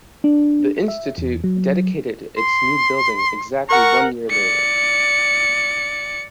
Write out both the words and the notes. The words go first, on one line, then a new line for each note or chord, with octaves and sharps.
The institute dedicated its new building exactly one year later.
D4
E5
E2
F#3
C6
A#4 F#5 C#6
D5 C#7